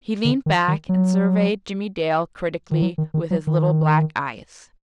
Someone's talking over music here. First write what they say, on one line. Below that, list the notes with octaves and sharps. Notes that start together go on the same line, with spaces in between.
He leaned back and surveyed Jimmie Dale critically with his little black eyes.
D3
D#3
D#3
F#3
D#3
F#3
D#3
D#3
F#3
D#3